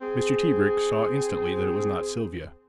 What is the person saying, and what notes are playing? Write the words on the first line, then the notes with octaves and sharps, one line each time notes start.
Mr. Tebrick saw instantly that it was not Silvia.
C4 G#4